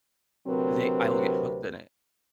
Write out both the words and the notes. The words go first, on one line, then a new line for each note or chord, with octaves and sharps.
they I will get hooked in it,
D2 C3 F#3 C4 A#4 B4